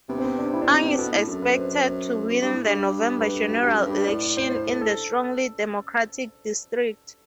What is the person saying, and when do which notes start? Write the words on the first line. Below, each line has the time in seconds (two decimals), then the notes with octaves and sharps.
Ung is expected to win the November general election in the strongly Democratic district.
0.09 C3 B3
0.19 C4
0.24 B3
0.38 D4
0.53 E4
0.62 D4
0.68 C4
0.83 B3
0.98 B2 A4
1.12 A2
1.27 F#2 A4
1.42 B4
1.57 C5
1.72 C5
1.87 C5
2.30 F#2
2.42 G2
2.53 A2
2.64 G2
3.19 B4
3.34 A4
3.48 F#4
3.63 G2 G4
3.74 F#2
3.85 G2 B4
3.97 G2
4.07 A2 D5
4.23 D5
4.37 C5
4.52 C5
4.67 A4
4.81 A4